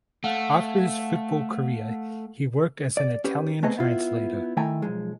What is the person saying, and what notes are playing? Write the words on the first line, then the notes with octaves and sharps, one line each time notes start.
After his football career he worked as an Italian translator.
A3 F5 F#5
D5
C#4 G4 B4
A3 B3 C4 G#4 B4 D#5
B3 E4 F4
D#3 A3 E4 G5 G#5 A#5
B1 F3 G#3